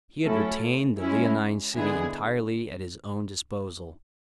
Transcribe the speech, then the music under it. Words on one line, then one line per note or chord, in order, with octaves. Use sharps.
He had retained the Leonine City entirely at his own disposal.
F#3 A3 C#4 E4 A4
G#3 C#4 E4
D3 G#3 B3 E4 G#4